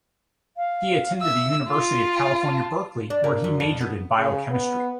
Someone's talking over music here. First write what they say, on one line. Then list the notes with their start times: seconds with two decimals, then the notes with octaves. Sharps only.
He attended the University of California, Berkeley where he majored in biochemistry.
0.57 F5
1.21 E5 E6
1.71 F4 C6
2.43 A5
3.10 D4
3.24 A#3
3.44 F#2
3.60 F2
3.81 B3
4.18 C#3
4.51 B3